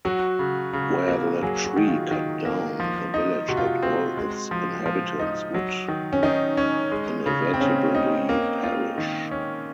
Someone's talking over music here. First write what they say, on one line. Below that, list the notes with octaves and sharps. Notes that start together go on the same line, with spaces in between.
Were the tree cut down, the village and all its inhabitants would inevitably perish.
F#3 F#4
C#3
C#3
A#3
F#3 G#4
F#4
D#3
F4
D#3
A#3
F3
D#4
C3 F#4
F4
F#4
C4
G#3
F3
F3
D#4
F#3
D#3
C#4
D#3 D#4
C#4
G#3
C#3
C4
C#3 C#4
D#4
A#3
F4
D#3
C#4